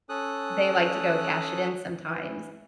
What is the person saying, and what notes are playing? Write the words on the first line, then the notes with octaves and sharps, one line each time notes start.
they like to go cash it in sometimes,
C#4 A4 D#6 F#6
E3